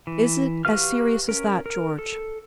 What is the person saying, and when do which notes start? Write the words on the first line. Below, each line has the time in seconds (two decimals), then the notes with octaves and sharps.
"Is it as serious as that, George?"
0.07 E3
0.65 F#4 G4 B4 F5 F6
1.29 C#4 A#4
1.66 A#4
1.99 A4